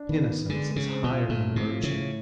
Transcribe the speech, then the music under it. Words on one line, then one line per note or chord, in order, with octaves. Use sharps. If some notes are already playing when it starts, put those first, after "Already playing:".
Innocence is higher than virtue.
Already playing: D4
D#3 B3
B3
D3 G#3
G#3
C#3
C4
B2
F4
A#2 A3
A2
C3
F3
C#3
A2